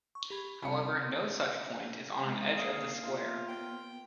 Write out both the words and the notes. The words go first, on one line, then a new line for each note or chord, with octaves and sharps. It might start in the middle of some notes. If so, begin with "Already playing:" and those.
However, no such point is on an edge of the square.
C#6
G4 B5 G#6
G1 C3 B5 C#7
G#3
A#3 G#4 F5
B3 F4 E5
G5